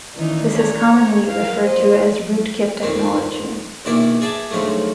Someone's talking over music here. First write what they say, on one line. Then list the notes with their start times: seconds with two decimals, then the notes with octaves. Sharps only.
This is commonly referred to as rootkit technology.
0.15 A#2 D#3 E3 C#4 D#4 D5
0.55 C#5 A#5
0.89 A3 A#3 C4
1.26 E2 A#4 F5
1.64 A#2 G4 C5 D#5
2.83 F2 D#3 C4
3.85 A#1 B2 D#3 E4 D5
4.21 G#4 D5 E5 A5
4.51 D2 G#2 F3 F#3 A3